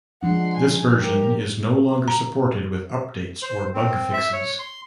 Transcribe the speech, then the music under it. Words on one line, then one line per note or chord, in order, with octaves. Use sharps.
This version is no longer supported with updates or bugfixes.
F3 G#3 D4 F#5 C6
G#5
G4 A#4
A#5
C5
C4
E5
C#5
C6